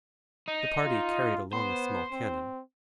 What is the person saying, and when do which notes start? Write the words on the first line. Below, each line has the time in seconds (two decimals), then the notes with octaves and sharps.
The party carried along a small cannon.
0.48 D#4
0.86 F4
1.53 B3 C5
2.12 C4